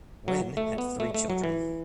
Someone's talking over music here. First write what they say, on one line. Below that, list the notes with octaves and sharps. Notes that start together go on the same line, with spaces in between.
Wen had three children.
F#3
A3
B3
A3
A3
F#3
E3